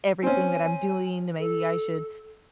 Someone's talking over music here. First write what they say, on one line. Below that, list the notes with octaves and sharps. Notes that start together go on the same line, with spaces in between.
everything that I'm doing, then maybe I should
C4 C#4 G#5
A4